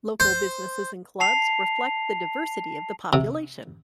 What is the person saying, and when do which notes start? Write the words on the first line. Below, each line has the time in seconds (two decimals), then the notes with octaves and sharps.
Local businesses and clubs reflect the diversity of the population.
0.20 C5
1.20 A5 C7 F7
3.13 C3